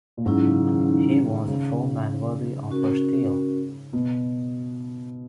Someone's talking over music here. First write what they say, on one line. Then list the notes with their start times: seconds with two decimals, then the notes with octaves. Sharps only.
He was a foeman worthy of her steel.
0.17 A#2
0.25 G#2 F#3 C#4 E4 G#4
0.37 D#3
0.46 C#3
0.66 D#3
0.87 D#3
1.17 D#3
1.48 C#3
2.71 C#4 F#4 A#4
3.93 B2